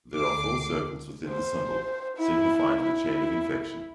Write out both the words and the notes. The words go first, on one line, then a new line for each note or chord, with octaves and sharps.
There are four circles within the symbol, signifying the chain of infection.
D2 D6 C7
C5
E4
E4